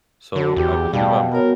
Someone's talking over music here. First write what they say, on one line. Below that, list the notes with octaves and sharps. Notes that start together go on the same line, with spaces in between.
So I believe I'm
D3 F#4
E2 G4
G#4
B2 G3 F5 G5 A5
B3 F#4 A#4 C#5